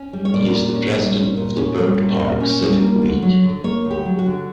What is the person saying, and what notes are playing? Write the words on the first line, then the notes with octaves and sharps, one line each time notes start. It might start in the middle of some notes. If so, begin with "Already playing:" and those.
He is the president of the Byrd Park Civic League.
Already playing: C#4
G3
C#5
A#2 D5
A#2
C#4
G3
A#2
A#2
C#4
G3
A#2
A#2
C#4
G3
A#3
D2
F#3
D3
A#3 C#5
D2
G4
F#3
F#4
D3